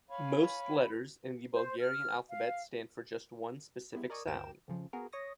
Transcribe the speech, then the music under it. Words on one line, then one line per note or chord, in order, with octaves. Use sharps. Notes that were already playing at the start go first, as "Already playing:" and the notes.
Most letters in the Bulgarian alphabet stand for just one specific sound.
C#5 F5 G#5 B5
C5
F6
F5
G3 G#3 B3 E4
A#4 D5 D#5 G#5 C#6
G1 D2 A#4 G5 D6 E7
F2 C#3 F3
A#3 B3 F#4 G#4 A#4
C#5 C#6 D#6 A#6